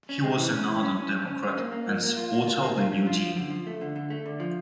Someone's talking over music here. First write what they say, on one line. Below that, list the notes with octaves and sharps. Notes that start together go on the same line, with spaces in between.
He was an ardent Democrat and supporter of the New Deal.
C#4
G#3
E3
C#4
E3
C#4
C#4
C#4
C#4
C#4
A#3
A#3
F3
A#3
F4
A#3
F4
A#3
F4
C#4
F4
F3
D3
F3
A3
D3
D3
A3
D3
F3